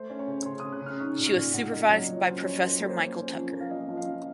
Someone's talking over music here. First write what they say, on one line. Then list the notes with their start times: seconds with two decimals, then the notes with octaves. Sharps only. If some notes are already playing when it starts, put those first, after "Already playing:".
She was supervised by Professor Michael Tucker.
Already playing: A3 C5
0.10 C#4
0.19 C#5
0.28 C#3
0.46 C#3 C6
0.60 D#6
0.65 C#3
0.72 F#6
0.81 C#3 F6
1.00 D#4 C#6
1.18 A#2
1.27 F6
1.36 A#2
1.54 A#2 F#5
1.72 A#3 D#5
1.90 F#3 C#5
2.09 F3 D#5
2.26 C#4 C5
2.44 F3 C#5
2.62 A#3 C5
2.80 A#3
2.89 C5
2.98 A#3
3.16 C#4
3.34 F3
3.52 A#3
3.61 F5
3.71 F3 D#5
3.88 F3
3.97 F5
4.06 F3